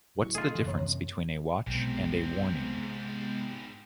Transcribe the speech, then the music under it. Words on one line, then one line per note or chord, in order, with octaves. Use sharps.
What's the difference between a watch and a warning?
A2 F#3 C#6
C#3 A3 D#4 F4 G#4 A4
F#2 E3 D#5 F#6
C3 A#3 C#4
B1 G#2 C3 G#3 B3 C4